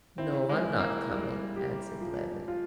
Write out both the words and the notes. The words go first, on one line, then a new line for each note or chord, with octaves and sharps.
"No, I'm not coming," answered Levin.
C4 E4
G#3
E4
A#3
G3
G4
F3
F4